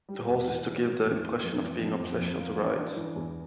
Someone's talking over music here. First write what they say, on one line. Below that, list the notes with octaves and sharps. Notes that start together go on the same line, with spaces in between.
The horse is to give the impression of being a pleasure to ride.
G3
E2
E3
E3
E3
E2
E4
F2
E3
F2
F2
F2
A#3
E3
D4
E3
E2